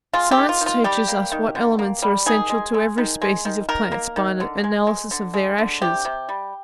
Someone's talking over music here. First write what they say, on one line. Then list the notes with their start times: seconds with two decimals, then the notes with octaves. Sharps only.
Science teaches us what elements are essential to every species of plants by an analysis of their ashes.
0.13 G#3 F4
0.31 G4
0.37 D#3
0.49 F4
0.61 D#3
0.66 F4
0.84 G3 G4
1.08 A#3
1.32 D#3
1.55 D3
1.79 A#3
2.02 G3
2.26 D#3 G#4
2.50 G#3
2.74 G#3
2.98 D#3
3.22 G#3
3.45 D#3
3.69 D#3 A#4
3.92 A#3
4.16 D#3
4.40 D3
4.64 G#3
4.87 G#3
5.11 D3
5.34 G#3
5.58 D3
5.81 C3 G4
6.05 C3
6.29 G3